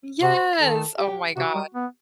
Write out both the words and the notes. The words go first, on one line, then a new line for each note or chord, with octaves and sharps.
Yes, oh my gosh.
C3 C5
D#3 A4
G4
C3 F#4
G3
B3